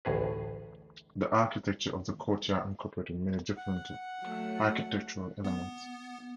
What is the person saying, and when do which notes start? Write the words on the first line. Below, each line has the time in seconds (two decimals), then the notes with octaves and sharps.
The architecture of the courtyard incorporated many different architectural elements.
0.05 A1 D2 A2 G#4 B4
3.57 F#5
4.21 F#3 A3
5.44 B3